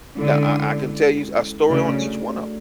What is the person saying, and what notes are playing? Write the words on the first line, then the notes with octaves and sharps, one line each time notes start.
now I I can tell you a story on each one of
D3 G#3 C#4 E4 A4
C#3 A3 D4 F#4 A4 D5